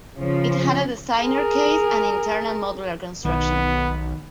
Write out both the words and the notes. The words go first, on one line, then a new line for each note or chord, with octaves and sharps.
It had a designer case and an internal modular construction.
C#3 F3
G#4 A#4
B1 D#3 B3